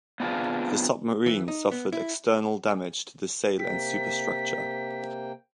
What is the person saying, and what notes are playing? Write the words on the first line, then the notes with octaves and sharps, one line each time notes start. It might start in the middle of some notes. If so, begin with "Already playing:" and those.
The submarine suffered external damage to the sail and superstructure.
B3 C4 D4 F4 G#4
E3
D#4
B3
E4
C3 A#3 G5 B6